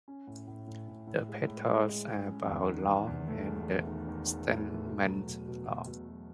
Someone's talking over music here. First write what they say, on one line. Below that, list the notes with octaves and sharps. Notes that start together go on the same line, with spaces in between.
The petals are about long and the stamens long.
C#4
A2
A2
A2
A2
A2
G#3
A2
G#3
G#3
G#3
C#4
E2
D#3
E2
E2
A3
E1
E2
D#3
D#3
D#3
E1
A3
B2
F#3
B2
B2
B2
B2
F#3